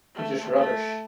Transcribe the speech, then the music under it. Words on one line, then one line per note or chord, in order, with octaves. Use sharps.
It is rubbish.
A3
A3